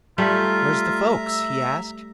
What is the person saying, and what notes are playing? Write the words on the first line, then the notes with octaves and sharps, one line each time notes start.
"Where's the folks?" he asked.
G3 A3 F4 E5 A#5
E6